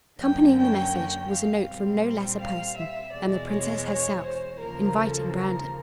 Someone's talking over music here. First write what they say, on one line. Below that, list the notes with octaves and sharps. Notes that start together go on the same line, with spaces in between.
Accompanying the message was a note from no less a person than the princess herself, inviting Brandon.
F#2 D3 F#3 A#3 C#4 G5
G5
G5
F5
A#2 G3 C4
F5
E5
E2 B2 G#3 D5
C#5
C#5
C5
D#2 C#3 F3 A#3 A#4
A4
A#4